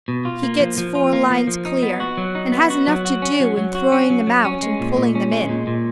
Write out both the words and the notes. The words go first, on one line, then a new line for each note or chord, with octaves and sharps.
He gets four lines clear, and has enough to do in throwing them out and pulling them in.
B2
F4
A#3
F3
F3
F4
A#3
F3
F3
D#4
B3
F#4
F#3
D#4
B3
F#4
F#3
F#4
C#4
F#3
F#3
F#4
C#4
F#3
F#3
C#4
G#3
A#2
A#2
C#4
G#3
A#2
A#2